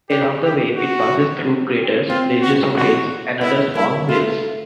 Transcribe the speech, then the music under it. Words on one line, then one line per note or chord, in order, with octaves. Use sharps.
Along the way it passes through craters, ranges of hills, and other small rilles.
D4 G4
G4
F#4
C4 F4
F#4
F#4
B3 E4
A#3 E4
A3 F4